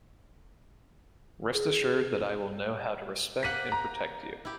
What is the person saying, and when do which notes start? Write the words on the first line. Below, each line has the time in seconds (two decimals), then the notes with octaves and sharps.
Rest assured that I will know how to respect and protect you.
1.53 G#4
3.43 A#3 G4 F#5 B6 D#7 F#7
3.72 A#5
4.45 E4 G4